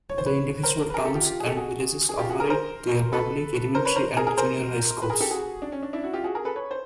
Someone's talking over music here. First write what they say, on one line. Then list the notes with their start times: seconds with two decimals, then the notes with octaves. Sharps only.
The individual towns and villages operate their public elementary and junior high schools.
0.10 C#5
0.18 C5
0.26 B4 C#5
0.63 A#4 C5
0.90 B4
0.94 G#4 A#4
1.05 G4 A4
1.15 F4 G4
1.26 F4 G4
1.40 G#4
1.46 G4 A4
1.57 F#4 G#4
2.09 G#4
2.19 F4 G4
2.29 F#4 G#4
2.40 G#4 A#4
2.50 A#4 C5
3.13 A4 B4
3.75 A#4 C5
3.85 B4 C#5
3.96 A#4 C5
4.17 G#4 A#4
4.27 G#4 A#4
4.38 A#4 C5
5.02 B4
5.10 G#4 A#4
5.20 G4 A4
5.31 F#4 G#4
5.62 D4
5.72 C#4
5.83 D4
5.93 D4 E4
6.03 E4 F#4
6.14 F4 G4
6.24 F#4 G#4
6.35 G#4 A#4
6.45 A4 B4
6.55 B4 C#5
6.71 C5